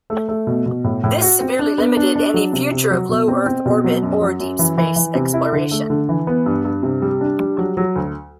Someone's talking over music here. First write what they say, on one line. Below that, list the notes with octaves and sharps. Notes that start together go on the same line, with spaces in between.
This severely limited any future of low earth orbit or deep space exploration.
A3
A3
B2
B2
A2
A2
F#4
C4
D4
B3
D4
D4
F#3
C3
C3
F#3
B2
C4
C4
B2
F#3
F#2
F#3
F#2
E3
E3
E3
C3
E4
D3
A3
D3
E3
B3
G2
G2
C3
G3
D4
G3
F#3
F#3
D2